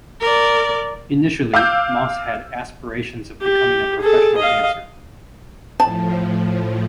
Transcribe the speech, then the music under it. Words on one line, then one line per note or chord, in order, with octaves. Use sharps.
Initially, Moss had aspirations of becoming a professional dancer.
A#4 D5
F5 D6 E6 G6
G4
G#4 A4
D#5 F5
A2 F3 A5